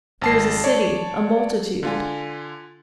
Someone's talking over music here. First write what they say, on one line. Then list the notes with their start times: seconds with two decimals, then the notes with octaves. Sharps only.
There is a city, a multitude--.
0.22 G#1 A5 C7
0.64 C#5 D5 A5
1.83 D3 F4 G#5